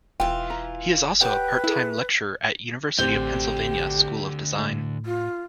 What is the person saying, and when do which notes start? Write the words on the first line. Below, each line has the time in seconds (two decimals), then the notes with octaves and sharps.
He is also a part-time lecturer at University of Pennsylvania School of Design.
0.20 E1 E3 F4 G5
0.50 A#5
1.21 G4 B4 C#5 F#5 G5
1.64 E4 G#4 A4 E5
2.99 A1 D2 D3 C4 G4 G6 G7
4.58 A2
5.06 F4